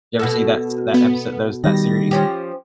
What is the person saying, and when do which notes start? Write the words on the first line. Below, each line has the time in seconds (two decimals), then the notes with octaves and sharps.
You ever see that s that episode those that series?
0.19 B2 F#4 A4
0.94 B3
1.64 D#3 G3 A#6
2.11 F3 C#4 G4